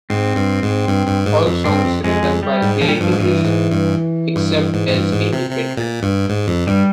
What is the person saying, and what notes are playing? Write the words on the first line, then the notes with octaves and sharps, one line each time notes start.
All songs written by Ray Davies, except as indicated.
G#2 C4
G2
G#2
G2
G2
G#2
F2
G2 C4
F2
F2 G#3
F2
G3
G#2
A#2 F3
G3
F3
G2
G#2
G2 E3
G#2
G2
G2
G#2
G#2
G2
G#2
C3
C3
A#2
G2
G#2
F2
G2 G3